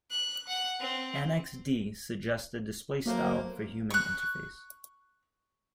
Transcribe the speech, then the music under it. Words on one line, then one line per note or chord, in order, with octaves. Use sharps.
Annex D suggests a display style for human interface.
F#6
F#5
C4
F#3 A3 A#3 C5
C#6 F#6